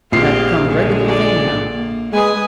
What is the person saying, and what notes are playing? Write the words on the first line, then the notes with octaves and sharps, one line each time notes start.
It had become a regular thing now.
A#1 C4 F4 G4 G#4 F5 C7
A#2 D3 G#3
D5
A#3
G#3 B4 G#5 D#6